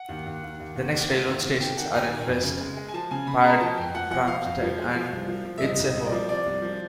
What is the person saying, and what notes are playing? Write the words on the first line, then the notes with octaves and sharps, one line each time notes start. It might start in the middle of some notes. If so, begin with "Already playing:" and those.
The next Railroad stations are in Wrist, Bad Bramstedt and Itzehoe.
Already playing: F#5
D#2
D#2
D#2
D#2
D#2
D#2
G#3
D#2
D#2
D#3 G5
D#3 F#5
G5
D#2 G5
G#5
D#3
F2
C#3
G#3
G#3
G#5
F3 A5
C#3 G#5
C#3 B5
G#3 A#5
F3 A5
F2 G5
F3 F#5
F3 F#5
F3 F5
F2
F3
G#3
F3
C2
F3
F3
E5
C2 D#5
C2
D#5
C2 D#5
D5
F3
C3 D5
C2
F3